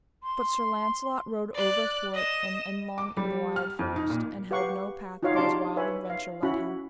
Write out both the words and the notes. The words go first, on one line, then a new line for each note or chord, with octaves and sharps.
But Sir Launcelot rode overthwart and endlong in a wild forest, and held no path but as wild adventure led him.
C6
D5 F#6
D#5 E7
D6
G3
F6
F2
D#4
A#2
G4 B4 F5 F#5 C#6
D#4 F4 F#4 C#5 F5
D4 G4 F5 A5 C6 D6
B4 C#5 E5 G#5 B5
F5
C#4 E4 F#4 B5